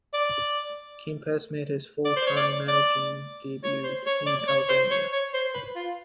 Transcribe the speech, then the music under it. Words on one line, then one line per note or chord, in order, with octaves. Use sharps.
Kempes made his full-time managing debut in Albania.
D5
D5
C5
C#5
D5
D5
C#5
C5
C#5
D5
C#5
C5
C#5
C#5
C5
B4
F4